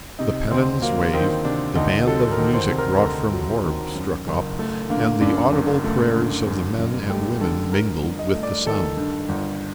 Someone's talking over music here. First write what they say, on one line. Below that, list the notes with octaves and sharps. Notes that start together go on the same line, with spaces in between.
The pennons waved, the band of music brought from Horb struck up, and the audible prayers of the men and women mingled with the sound.
C3 D#4
D2 C4
F#3 A#3
D#3 C4
C3 D4
D2 D#4
F#3 A4
A#4
D#3
C5
C3
A#4
A#4
D2 A4
F#3
D#3
F#2
F#1
A3
D3 A#3
F#2 D4
F#1
A3
D3
F#2
F#1
A3 G4
D3 A4
G2 A#4
G1
D#5
A3
D5
D#3 A4
G2
G1